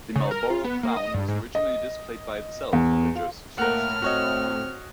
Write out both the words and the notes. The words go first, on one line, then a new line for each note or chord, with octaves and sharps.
The Marlborough crown was originally displayed by itself on the jersey chest.
C#3
A#4
F4
B3
A#3
D#5
G2
G#2
D#5
E2
F4
A2 A#3 A#4 F#5 F6
C4 F#4 C#5 D#5